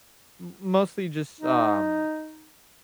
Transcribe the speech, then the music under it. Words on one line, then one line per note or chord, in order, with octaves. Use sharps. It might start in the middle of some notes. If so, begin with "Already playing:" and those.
m mostly just, um,
D#4